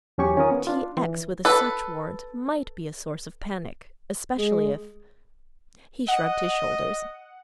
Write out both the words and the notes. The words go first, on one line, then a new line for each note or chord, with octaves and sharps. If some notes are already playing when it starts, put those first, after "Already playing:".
T. X. with a search warrant might be a source of panic especially if--he shrugged his shoulders.
E2 F#3 C#4 G4 G#5 C#6
D#3 C#4 F4 A#4 D#6
B3
D4 F4
E3
A4 B4
G#3
D#5 F#5